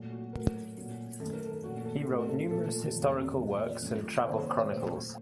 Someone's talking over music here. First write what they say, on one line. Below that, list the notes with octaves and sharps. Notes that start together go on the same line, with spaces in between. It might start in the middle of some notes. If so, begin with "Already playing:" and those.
He wrote numerous historical works and travel chronicles.
Already playing: A#2 F#3 A3
F#4
A2 F#3 A3 A#4
A#2 F#3 A3
F#2 D#3 A3 A4
A#4
A4
A#2 F3 A3 F#4
A4
A2 A3 F#4
A4
A#2 F3 A3 A4
F2 D#3 A#3
A#2 F3 A3
F#2 F3 A3
C3 D#3 F#3 A#3 C5
C#5
C5
A#2 F#3 A3 C5